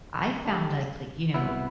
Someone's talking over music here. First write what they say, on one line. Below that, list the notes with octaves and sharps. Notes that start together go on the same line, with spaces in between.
I found, like like, you know,
D3 G3 D4
C2 B2 B3 E4